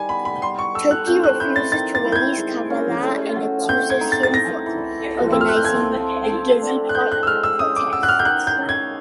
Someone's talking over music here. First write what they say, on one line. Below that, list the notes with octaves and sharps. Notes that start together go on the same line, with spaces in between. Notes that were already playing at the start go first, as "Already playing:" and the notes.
Turkey refuses to release Kavala and accuses him for organizing the Gezi Park protests.
Already playing: D#3 G3 G#5
B3 B5
B5
G3 C6
C#6
A4 E6
F#6
C4 G6
F#6
E4 G6
A6
D#3 A6
A6
E4
G6
G#6
G#3
C#4
A3
F#4
C4 G6
G#6
D#4
A6
A6
E3 A#6
E3
A3
C4 E6
F6
F#6
G6
F3 G#6
F3
A3
D4
F#6
G#3 G6
F#6
E6
G#3 F6
E6
C#4 D#6
D6
F#4 E6
F#6
F6
G6
D#3 F#6
G6
C#4
G#6